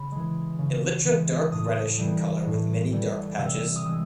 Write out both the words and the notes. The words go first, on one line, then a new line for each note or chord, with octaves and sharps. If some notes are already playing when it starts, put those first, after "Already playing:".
Elytra dark reddish in color with many dark patches.
Already playing: C#3 B5
E3 G#3
C#3
E3 G#3
A2 D#6
E3 G3
A2
E3 G3
C3 E6
D#6
E3 G#3 E6